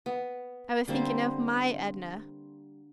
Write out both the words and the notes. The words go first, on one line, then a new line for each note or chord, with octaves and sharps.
I was thinking of MY Edna.
B3
D3 G3 A#3 C4